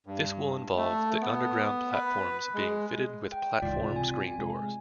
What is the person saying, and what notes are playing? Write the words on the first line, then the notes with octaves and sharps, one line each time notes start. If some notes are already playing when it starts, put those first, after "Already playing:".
This will involve the underground platforms being fitted with platform screen doors.
G2
A3
B3
B4
G#3
G5
C#2 G#2 E3 F4 D5
C3
G#5
G#3